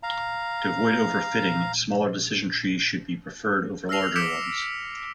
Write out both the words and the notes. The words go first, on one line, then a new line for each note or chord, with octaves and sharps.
To avoid overfitting, smaller decision trees should be preferred over larger ones.
F5 A#5
E6 F6 A#6 C7 F7
D6 B6 C#7 D7 E7 G7